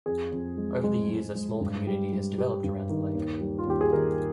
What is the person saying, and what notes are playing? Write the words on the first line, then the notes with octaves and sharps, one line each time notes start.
Over the years a small community has developed around the lake.
F2 G#4
F2
G#3
G#3
G#3
G#3
G2
G3
G3
G3 G4
G2
D#3
D#2
G3
F4
D#2 G4
G#4
D#3 A#4